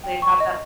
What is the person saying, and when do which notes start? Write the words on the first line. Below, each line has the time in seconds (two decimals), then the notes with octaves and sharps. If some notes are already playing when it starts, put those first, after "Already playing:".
they have that
0.04 G5
0.22 C#6
0.40 D#5